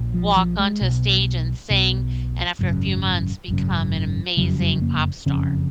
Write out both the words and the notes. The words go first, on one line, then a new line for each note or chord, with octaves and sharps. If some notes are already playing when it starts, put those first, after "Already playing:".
walk onto stage and sing and after a few months become an amazing pop star,
Already playing: A#1 A#2
F3
F3
G#3
B1 B2
B1 B2
G#1 F#2 C#3
G#1 F#2 C#3
F#1 F2 C#3 F#3
F#3
A#3
F#1 F2 C#3 C#4